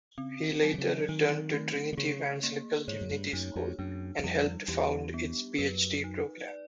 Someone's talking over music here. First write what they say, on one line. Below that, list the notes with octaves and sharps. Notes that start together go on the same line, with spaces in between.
He later returned to Trinity Evangelical Divinity School, and helped found its Ph.D. program.
C#3 C4
F#3
D3
C#3
D#3 D#4
A3
D3
C#3 G#4
A#3
G#2 C#5
F#2
G2
F#2 D#4
F2
F#2 D4
E2
F2 G3
E2 G4
B3
F#2 B4
D#4
D5